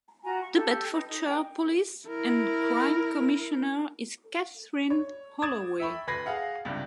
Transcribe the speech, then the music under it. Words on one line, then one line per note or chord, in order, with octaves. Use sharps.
The Bedfordshire Police and Crime Commissioner is Kathryn Holloway.
F4 F#4 G#5 A#5
C#6
G4 A4
D#4 B4
D#4
G#4 A#4 G5 A#5
E4 A#4
C#5
D6 D#6 G#6 A6 E7
E5 G5 B5 C#6
D2 B4 B5 G#6 A#6 C7
G#4 F5 F#5
C#2 G2 C3